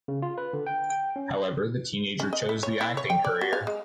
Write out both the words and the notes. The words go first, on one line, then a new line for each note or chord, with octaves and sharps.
However, the teenager chose the acting career.
C#3
F4
B4
D3
G5
G5
C#4
C#4
D#5
E4
C#5
E4
C#5
G5
D5
F#4
F5
G#3